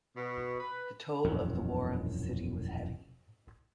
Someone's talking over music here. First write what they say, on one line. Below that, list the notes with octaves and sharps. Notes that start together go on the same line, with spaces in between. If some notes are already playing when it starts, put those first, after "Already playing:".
The toll of the war on the city was heavy.
B2
B4
E1 A#1 F#2